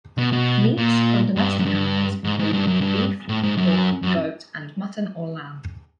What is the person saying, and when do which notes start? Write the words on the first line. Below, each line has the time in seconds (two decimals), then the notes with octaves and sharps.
Meats from domestic animals include beef, pork, goat and mutton or lamb.
0.18 B2
0.33 B2
0.77 A#2
1.36 G2
1.59 F#2
1.66 G2
2.24 G#2
2.39 G#2
2.53 G2
2.67 F#2
2.81 G2
3.29 A2
3.43 G#2
3.57 F#2
4.02 F#2